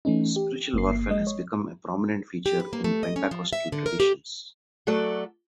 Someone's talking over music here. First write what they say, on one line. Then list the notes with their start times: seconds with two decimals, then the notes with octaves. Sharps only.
Spiritual warfare has become a prominent feature in Pentecostal traditions.
0.05 E3 A3 C#4 D#4
0.36 G4
0.73 G1 A#3 C7
1.09 G#3 D#5
1.27 C#5
2.46 G4
2.60 B4
2.73 A#3
2.84 A3
3.03 D#5
3.16 C#4
3.31 F3
3.53 E5
3.72 D3
3.86 A#4
4.00 G4
4.87 F#3 A3 F#4 A4 D5